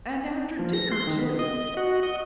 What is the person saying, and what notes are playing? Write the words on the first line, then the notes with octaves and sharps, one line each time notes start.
"And after dinner, too!"
F3
A#6
C6
D#3
B3
D#5
F#4
D#5